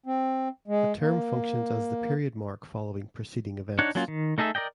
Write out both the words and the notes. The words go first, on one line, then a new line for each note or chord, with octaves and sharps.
The term functions as the period mark following preceding events.
C4
G#3
A#3
D4 D#4 C#5 F#5
F#3 A#3 C#4 F4
D#3
A3 D#4 G#4 A4 E5
A#4 D5 D#5 G5